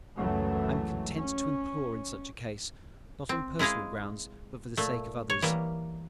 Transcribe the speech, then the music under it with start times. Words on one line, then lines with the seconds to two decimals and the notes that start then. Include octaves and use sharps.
I am content to implore in such a case, not on personal grounds, but for the sake of others.
0.16 C#2 F#2 E3 F#3 A3
1.13 C#4
3.29 C4
3.59 G#3 E4 G#4 D#5 F5
4.77 A#2 A3
5.30 C#5
5.42 E3 G3 A#3